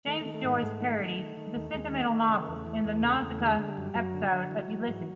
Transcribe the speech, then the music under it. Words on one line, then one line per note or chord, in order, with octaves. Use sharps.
James Joyce parodies the sentimental novel in the "Nausicaa" episode of "Ulysses".
D#3 A3
A3
D#3
A3
G#2 A#3
G#2 A3
D#3
D#3
D#3
D#3
D#2
D#2 G#3
D#3
A3
D#3
C#3
E2
E3
E2
C#3
E2
D3 G#3
D3
G3
F#2
F#2 F#3
D3
D3
E3
E3
G#2